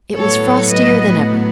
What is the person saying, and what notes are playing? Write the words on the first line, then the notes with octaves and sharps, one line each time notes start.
It was frostier than ever.
A2 F#3 B3 A4 C#5
B4 D#5